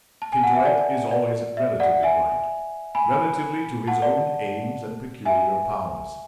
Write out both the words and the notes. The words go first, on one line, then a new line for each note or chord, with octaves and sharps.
Tintoret is always relatively Right--relatively to his own aims and peculiar powers.
A5
G#5
F#5
E5
D5
D5
E5
D5 F#5
E5 G#5
G#5 B5
F#5 A5
D5
E5 G#5